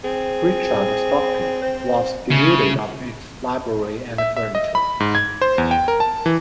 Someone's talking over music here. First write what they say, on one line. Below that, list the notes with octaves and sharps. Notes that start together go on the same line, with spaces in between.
Richard Stockton, was denuded of its library and furniture.
C4 G#4
C5
C#3 A3
E5
E5
D#5
B5
G#2
G#6
C5
E2
G5
A#4
A5
E3